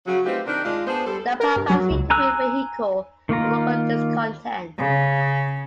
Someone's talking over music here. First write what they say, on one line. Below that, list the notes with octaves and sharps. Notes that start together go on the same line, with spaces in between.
The Papacy could be a vehicle for local discontent.
C#3 F#3
A3 C4 D#4 F4 G4 B4
C3 D#3 D4 D#4 A#4
G#3 D4 F4
B3 D4 G#4 C5
G3 A4 C5
A#4
G2
F#3
C#2
G#5 A#5 E6 F#6
D#3 A#3 F4 A#5
C#3